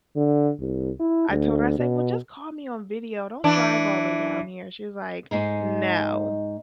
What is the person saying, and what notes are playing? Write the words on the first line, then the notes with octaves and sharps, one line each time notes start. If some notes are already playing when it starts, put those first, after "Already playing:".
I told her, I said, "Well just call me on video, don't drive all way down here," and she was like, "No."
D3
C2
E4
D2
B2
E3 D4
G#2 G#3 D#4